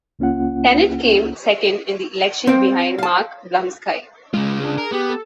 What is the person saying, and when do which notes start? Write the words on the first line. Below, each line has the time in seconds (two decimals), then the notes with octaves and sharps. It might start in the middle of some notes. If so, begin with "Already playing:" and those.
Tennet came second in the election behind Mark Blumsky.
0.19 C#2 A#3 C#4 F4 F#5
2.47 C4 C5 F5 G5
2.98 F5 A5
4.34 C#3 G#3 F4
4.60 D4 G#4
4.78 A#4
4.92 B3 G4
5.09 A4